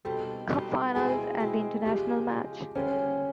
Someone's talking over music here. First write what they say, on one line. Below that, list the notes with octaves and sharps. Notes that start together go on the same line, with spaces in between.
Cup Finals and international match.
B2 G3 C4 D#4 A4
B2 G3 C4 D#4
B2 G#3 C4 E4 G#4
B2 G#3 C4 E4
C#3 F3 G#3 G4
C#3 F3 G#3
D3 G3 C4 C#4 F4